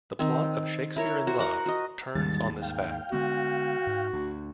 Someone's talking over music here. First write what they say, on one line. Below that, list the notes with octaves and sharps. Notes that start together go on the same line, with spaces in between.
The plot of "Shakespeare in Love" turns on this fact.
D#3 C4
E4 A#4 C#5
F#4 C5
A#4 F#5
F#4 D#5
D#2 G#2 D#3 G3 A6
F5 G5
D3 G#3 B3 F#4
G#2
D2